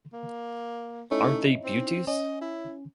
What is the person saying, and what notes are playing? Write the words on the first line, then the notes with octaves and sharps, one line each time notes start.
Aren't they beauties?
A#3
A3 C#4 D#4 E4
C4
C#4 D#5
E4